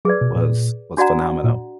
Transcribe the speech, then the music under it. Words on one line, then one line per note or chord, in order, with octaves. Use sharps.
was was phenomenal.
F#3 G#4 B4 D5
B2
A#2
D4 F#4 D5 F#5 A#5
A#2